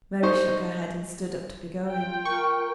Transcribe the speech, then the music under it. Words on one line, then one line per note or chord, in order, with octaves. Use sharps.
Mary shook her head, and stood up to be going.
D#4 C5 C#6
F4 G5
A#4 C#6